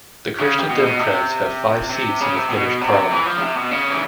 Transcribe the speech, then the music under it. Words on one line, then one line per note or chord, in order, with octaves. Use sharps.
The Christian Democrats have five seats in the Finnish Parliament.
C#3
C3
B2
B2
C3
C3
C#3
C3
B2
C3
E3
F3
C#3
C3
B2
C#3
E3